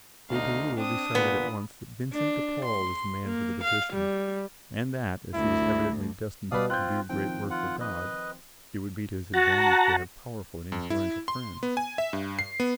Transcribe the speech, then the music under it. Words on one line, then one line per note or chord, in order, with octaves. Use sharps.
De Berulle decided at once that Vincent de Paul was the man for the position and that, as he was evidently destined to do great work for God, it would be to his advantage to have powerful and influential friends.
D2 D#4 F5
C4 D4 D#6
A#2 B3
D4
C6
A#3
F5
G3
D2 E4
B2 G3 B4 D5 F5 D#6
C4 F4 F#6 G6
D#3 F3 C4 G5
F4 F#5
B4 D#5
F#4 F#5 A5 A#5
F2
E4
C6
B3
G#5
E5
G2
C7
B3